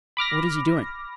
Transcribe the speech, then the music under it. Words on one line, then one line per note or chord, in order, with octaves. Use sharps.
"What is he doing?"
B5 D6 F6 A#6